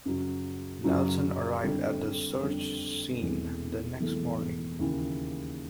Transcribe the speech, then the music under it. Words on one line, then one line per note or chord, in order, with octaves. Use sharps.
Nelson arrived at the search scene the next morning.
F#2 C#3 F#3
F#2 C#3 F#3
F2 D3 G3
F2 D3 G3
E1 E2 C3 E3 A3
E1 E2 C3 E3 A3
D#2 C#3 E3